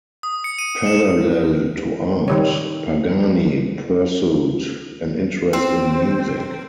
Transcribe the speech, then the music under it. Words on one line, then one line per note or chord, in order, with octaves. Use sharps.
Parallel to art, Pagani pursued an interest in music.
D#6
C#7
D#7
E7
D#3 G3 C#5
C4